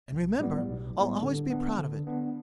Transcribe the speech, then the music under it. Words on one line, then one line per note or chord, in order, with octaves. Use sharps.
And remember, I'll always be proud of it.
B1
A2 G3 B3
B1
A2 G3 B3
D3
B3 D4
D3
B3 D4